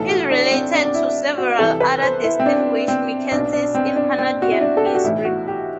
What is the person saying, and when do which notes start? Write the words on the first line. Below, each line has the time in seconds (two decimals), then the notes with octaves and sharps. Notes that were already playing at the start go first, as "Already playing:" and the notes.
He is related to several other distinguished MacKenzies in Canadian history.
Already playing: B1 A2 E3 A4
0.09 F#4
0.31 D4
0.52 C4
0.73 D4
0.85 D4
0.94 E4
1.38 F#4
1.59 C2 C3 E3 A4
1.80 B4
2.02 C5
2.24 E4
2.40 C4
2.46 D4
2.88 C4
3.31 B1 B2 D4
3.53 D4
3.75 C4
3.96 D4
4.18 C4
4.42 F#4
4.51 E4
4.61 D4
4.77 A4
4.86 G4
4.95 F#4
5.04 B1 A2 E3 E4
5.25 F#4
5.48 G4